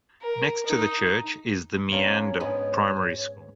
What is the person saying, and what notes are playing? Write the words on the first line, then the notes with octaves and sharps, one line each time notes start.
Next to the church is the Meander Primary School.
A#4
D#4
A#3 C#4 D4 C#5
G#2 G#3 B3